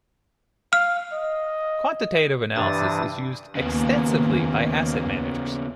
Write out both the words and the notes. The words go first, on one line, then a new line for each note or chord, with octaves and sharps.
Quantitative analysis is used extensively by asset managers.
F5 F6
D#5
G2 C3 E3 D4 D#6 A6
D#2 C#3 A#3 B3